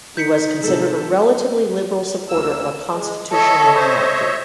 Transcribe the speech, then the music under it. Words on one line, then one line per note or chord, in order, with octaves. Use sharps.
He was considered a relatively liberal supporter of a constitutional monarchy.
D#4 G6 B6 C#7
C3 G#3 A4
D2 A#3 E6
G#3
A4 C#5 D#5 E5
C5